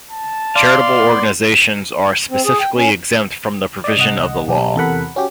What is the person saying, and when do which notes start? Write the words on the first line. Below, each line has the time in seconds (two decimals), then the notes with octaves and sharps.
Charitable organizations are specifically exempt from the provision of the law.
0.11 A5
0.56 D5 F5 C6
0.95 B3
2.30 C4
2.45 G#4
2.60 G5
2.75 C#4
3.84 D5 D#5
3.98 C2 D#5 F#5
4.48 B1 G4
4.76 E2 C3 A4 A#4 F#5 B5
5.16 C#4 F#4 G4